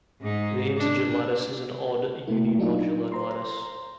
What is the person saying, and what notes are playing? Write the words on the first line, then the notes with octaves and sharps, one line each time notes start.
The integer lattice is an odd unimodular lattice.
G#2 D#4
D4
C3 A3 A#3 E4
F#3 D4 D#4 F4
C5 A#5 C6